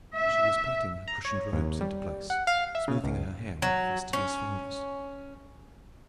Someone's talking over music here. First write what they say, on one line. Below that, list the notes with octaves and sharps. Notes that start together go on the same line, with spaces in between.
She was patting her crushed robes into place, smoothing her hair with fastidious fingers.
E5
A#5
C#5
D#2
G3
F#5
F5
E5
C#3
C#2
F#3
C#4